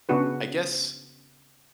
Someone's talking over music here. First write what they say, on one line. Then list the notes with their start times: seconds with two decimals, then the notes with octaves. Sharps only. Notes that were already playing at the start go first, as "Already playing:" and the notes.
I guess
0.09 C#3 B3 D4 F#4 B4